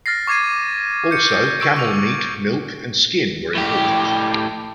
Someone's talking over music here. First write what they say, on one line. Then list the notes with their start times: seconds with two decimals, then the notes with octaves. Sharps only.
Also camel meat, milk, and skin were important.
0.06 F6 A6 A#6 C7
0.27 C#6 D6 G#6 C7 D#7
1.11 G6 C#7
1.60 C#6 E6 D7
1.76 C#6 F7
3.55 A2 G4